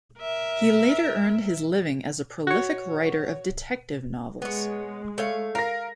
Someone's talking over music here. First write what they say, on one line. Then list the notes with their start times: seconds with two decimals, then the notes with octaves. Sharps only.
He later earned his living as a prolific writer of detective novels.
0.20 A#4 E5
2.47 F#4 C#5
4.42 G#3 B3 C#5
5.18 A3 C#5 F5
5.55 A#4 F5 A#6